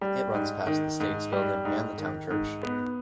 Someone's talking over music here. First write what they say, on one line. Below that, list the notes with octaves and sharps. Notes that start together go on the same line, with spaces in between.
It runs past the States Building and the Town Church.
G3
G#2
D#3
G#2
G3
G#2
D#3
G#2
B3